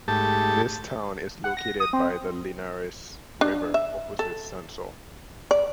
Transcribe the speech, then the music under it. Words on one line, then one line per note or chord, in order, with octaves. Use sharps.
This town is located by the Linares River opposite Sansol.
G#2 A3 G4 A5
F#5
A#6
D#6
C4
D4
E5
A4
D5